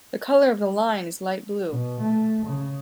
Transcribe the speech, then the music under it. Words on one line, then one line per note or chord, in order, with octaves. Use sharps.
The color of the line is light blue.
B2
A3
C#3